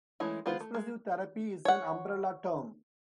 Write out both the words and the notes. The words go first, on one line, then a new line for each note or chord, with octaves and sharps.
Expressive therapy is an umbrella term.
E3 G#3 A3 C#4 E4
G#3 B3 F4 B4 C5
A3
G#3
C#5 F#5